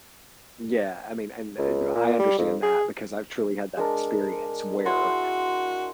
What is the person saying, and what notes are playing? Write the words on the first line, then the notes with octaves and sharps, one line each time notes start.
Yeah, I mean, and, uh, you I understand that because I've truly had that experience where,
C#2
A#2
G3
F2
G#4
G#3 D4 A#4
E4 F#4 C6